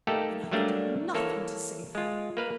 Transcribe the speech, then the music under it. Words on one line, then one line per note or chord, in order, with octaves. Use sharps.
And I can do nothing to save her.
A3 A#3 D#4 G4 A4
F#3 G3 A3 A#3 D4
E3 A#3 A4 C#5
G#3 F4
A#3 B4 F5